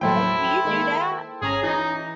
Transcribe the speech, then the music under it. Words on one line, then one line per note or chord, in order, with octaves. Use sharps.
Oh, do you do that?
D#2 A2 F#3 E4 A4 C5 G5
D#3 G#3 A#3
G#1 C#4 G#4 A#5
E3 D#4